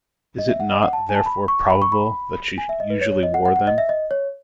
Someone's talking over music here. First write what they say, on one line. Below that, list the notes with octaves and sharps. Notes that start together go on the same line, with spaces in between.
Is it not, therefore, probable that she usually wore them?
D#5
E5
F#5
D#5
F#5
A5
G#5
A5
B5
C#6
B5
C#6
B5
G#5
E5
D#5
B4
C#5
C#5
D#5
F#5
F#5
F#5
D#5
E5
D#5
C#5